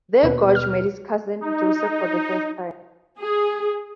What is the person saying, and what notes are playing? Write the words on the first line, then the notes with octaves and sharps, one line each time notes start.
There George met his cousin, Joseph, for the first time.
D#2 B2 B4
F6
D#4
G#4